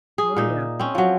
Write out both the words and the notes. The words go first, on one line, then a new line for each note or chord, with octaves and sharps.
Oh, yeah.
G#4
A#2 D#4 E5
C4 C#4
F3 F#3